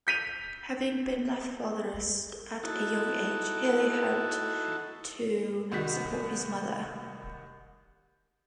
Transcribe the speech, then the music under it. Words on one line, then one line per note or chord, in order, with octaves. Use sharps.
Having been left fatherless at a young age, Healy helped to support his mother.
G6 B6 D#7 F7
D#4 E4 F#4 A4
C2 D#3 F#4 B6